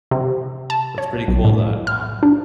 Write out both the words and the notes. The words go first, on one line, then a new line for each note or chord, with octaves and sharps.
so it's pretty cool that, um
C3
A5
C#5
B1
A2
F6
D4